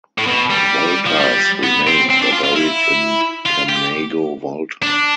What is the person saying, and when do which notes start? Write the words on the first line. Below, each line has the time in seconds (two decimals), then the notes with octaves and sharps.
Volta's remains were buried in Camnago Volta.
0.18 A2
0.27 B2
0.50 G3
1.07 F3
1.18 G3
1.64 B3
1.87 C4
2.10 C4
2.22 D4
2.32 F4
2.43 F4
2.55 E4
3.46 F4
3.69 G4
4.83 D4